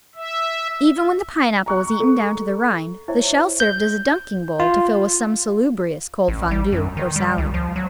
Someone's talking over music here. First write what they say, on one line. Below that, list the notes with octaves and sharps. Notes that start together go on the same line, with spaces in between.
Even when the Pineapple was eaten down to the rind the shell served as a dunking bowl to fill with some salubrious cold Fondue or salad.
E5
A#5 C#6 F#6
A4
E4 C5 C#5 E5
G6
F4
A1
G3
F#2
D#3
G3
C#2
F3
F#3